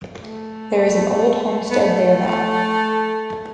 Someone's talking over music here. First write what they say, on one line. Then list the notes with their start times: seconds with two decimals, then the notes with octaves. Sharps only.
There is an old homestead there now.
0.18 A3
1.69 B3
1.80 A3